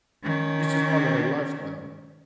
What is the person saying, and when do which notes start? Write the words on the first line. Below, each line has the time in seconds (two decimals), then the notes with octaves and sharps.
It's just part of their lifestyle.
0.23 D#3 C#4